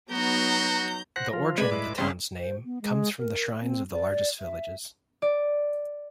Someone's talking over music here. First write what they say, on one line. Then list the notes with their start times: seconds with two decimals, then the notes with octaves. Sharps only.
The origin of the town's name comes from the shrines of the largest villages.
0.12 F#3 B3 D#4 F#4 A#5 G6
1.16 C5 F#5 F#6 A#6
1.33 F3 F4
1.58 G#3 B4 D5 B5 G#6
1.71 A2 E4 D6
1.98 G1 C#3 G3 C4 C6
2.39 C5
2.65 B3
2.82 G#3
3.19 A#4
3.62 C4
3.93 D5
4.39 E5
5.22 D5